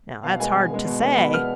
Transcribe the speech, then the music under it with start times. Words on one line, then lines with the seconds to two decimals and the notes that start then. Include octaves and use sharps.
Now that's hard to say.
0.23 B2 F5
0.40 G#3 B3 G#5
0.56 B2
0.71 G#3 B3
0.86 B2
1.03 G#3 B3
1.17 B2 B5
1.33 G#3 B3 F6